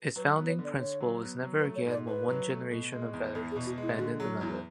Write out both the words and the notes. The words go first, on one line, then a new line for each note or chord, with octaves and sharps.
Its founding principle is Never again will one generation of veterans abandon another.
F#3 B4
B3
C#5
D3
D5
D3 C#5
F#3
B3
F#3
B4
A3
C#5
G#2 D5
G#2 B4
F#3
A3
B2
G#3
E2
E2 A4
G#4
B2
F#4
G#3 E4
D3 F#4
F#3 G#4
E2 E4